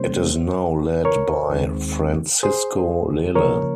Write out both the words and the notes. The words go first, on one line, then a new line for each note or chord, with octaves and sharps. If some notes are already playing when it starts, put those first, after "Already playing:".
It is now led by Francisco Lele.
Already playing: C3 G3 A#3 C#4 C5
A#4 C#5
D#2 D#3 G#3 C4
G#4 C5
C#3 F3 A#3 A#4 C#5